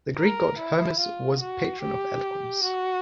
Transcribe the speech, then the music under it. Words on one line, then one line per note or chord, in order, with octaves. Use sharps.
The Greek god Hermes was patron of eloquence.
A#4
E4
F4
F#4
G4
F#4